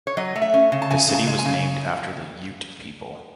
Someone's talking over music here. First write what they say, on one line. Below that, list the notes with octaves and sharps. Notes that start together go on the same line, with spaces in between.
The city was named after the Ute people.
C#5
F#3 D#5
A3
E5
C#4
C#3
A5
C#3 G#5
C#3
A5
G#3
G#5
C#3